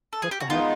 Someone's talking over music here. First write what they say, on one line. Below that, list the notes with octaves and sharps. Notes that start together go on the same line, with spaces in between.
What the heck?
A4
G#4
G4
F#4
D#3 G#3 B3 D#4 F4